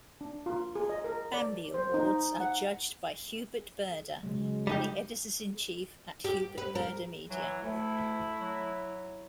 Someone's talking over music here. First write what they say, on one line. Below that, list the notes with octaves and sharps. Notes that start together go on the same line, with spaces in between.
Bambi awards are judged by Hubert Burda and the editors-in-chief at Hubert Burda Media.
D4
F4
G#4
D#5
A#4
D5
C5
D#4
F#5
C#3 F#3 G#3
G3 D#4 G4
G4
B4
A#4
E3 F#3
D2 A3 E4
F#3